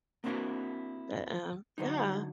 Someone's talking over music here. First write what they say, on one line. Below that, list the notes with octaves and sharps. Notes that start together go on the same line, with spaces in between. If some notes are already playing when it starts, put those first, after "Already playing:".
but, um, yeah,
A#3 C4 D4 E4 F#4 A#4
D3 F#3 D#4